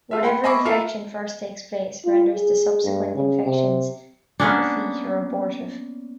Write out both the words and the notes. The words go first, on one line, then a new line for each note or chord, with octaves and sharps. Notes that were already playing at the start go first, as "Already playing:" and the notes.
Whatever infection first takes place, renders the subsequent infections effete or abortive.
G#3 F4 E5
F#5 G5 B5 C6
D#5 E5 G#5 B5 C#6 D6
E4 F4 A4 A#4 E5 F5
F4
G#4
G2
C#3
C3
A#3 B3 C#4 D4